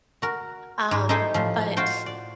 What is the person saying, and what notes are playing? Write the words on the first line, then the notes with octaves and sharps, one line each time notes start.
um, but,
F#4 A#4
G#2
D#4 E4 G4 A4 C5 G#5
A2 F3
F4 F#4 C5 G5
D5